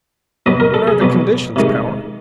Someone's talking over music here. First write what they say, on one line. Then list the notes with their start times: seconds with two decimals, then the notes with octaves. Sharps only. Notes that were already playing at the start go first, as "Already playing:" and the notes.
"What are the conditions, Powart?"
0.46 B2 F#3 B3 D#5
0.60 A#4
0.74 A4
0.87 G#4
1.01 B2 F#3 B3
1.56 C3 D#3 G#3